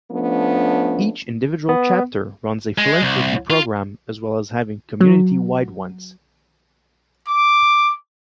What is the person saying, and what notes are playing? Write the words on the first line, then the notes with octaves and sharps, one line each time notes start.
Each individual chapter runs a philanthropy program as well as having community wide ones.
F3 A3 B3 C#4 D4
B3
G#3
C2
F4
F#3
D6